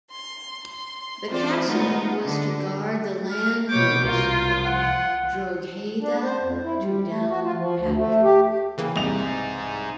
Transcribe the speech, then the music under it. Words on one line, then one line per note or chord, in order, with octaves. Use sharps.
The castle was to guard the land routes from Drogheda to Downpatrick.
C6
C6
E3 C4 F4 C5 D5
G#3 A3 B3 D#4 F4
D3
F6
B2 C#5 D6 G6
C2 F4 A#4
F#5
D4
C5
F2
E4
G3
A3
F#4
F4
F3
D2
A3
G4
C#3 E3 A#3
C2 D#4 G#4 F7